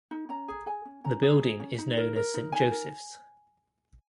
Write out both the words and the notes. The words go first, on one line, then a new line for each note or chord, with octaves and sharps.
The building is known as Saint Joseph's.
D#4
C#4 A#5
G#4
G#4 G#5
C#4
C#4 A#5
G#4
G#4
C#4
D#4
A#4
A#4
D#4
D#4 G#5
A#4